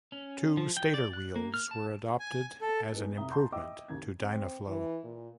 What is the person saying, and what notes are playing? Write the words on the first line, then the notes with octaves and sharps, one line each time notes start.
Two stator wheels were adopted as an improvement to Dynaflow.
C#4
F3
G5
D5
F#6
A#3
F6
A5
G#5
A4
G#3 B3 D#4
F1 E5 A#5 D#6 G7
F#5 A5 A#5 C6 G6
D#5 E5 G5 D6 E6
D#2 C#3 G#6
C4
E3
A#2